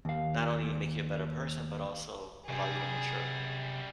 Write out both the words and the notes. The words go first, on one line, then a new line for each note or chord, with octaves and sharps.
not only make you a better person, but also allow you to mature.
D#2 F5
F#2 C3 G3 G#4